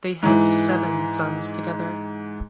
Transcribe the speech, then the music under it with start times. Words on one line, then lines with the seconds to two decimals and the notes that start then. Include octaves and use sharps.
They had seven sons together.
0.23 G#2 E3